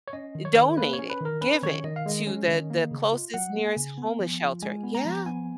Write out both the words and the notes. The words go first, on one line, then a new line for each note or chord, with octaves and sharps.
donated, given to the the closest, nearest homeless shelter yeah.
C#5
C#4 D#5
D#3
C#5
D#3
A#3 B4
C#5
C#4
B4
D#3 A#4
C#4 B4
D#3 C#5
D#3 D#5
F5
G#3 D#5
C#4
D#3
A#3
C#3
F4
F#3 F#5
A#3
G#5
C#3
B3
F3
F4
G#3 G#5
B3
A#5
F3
B3 G#5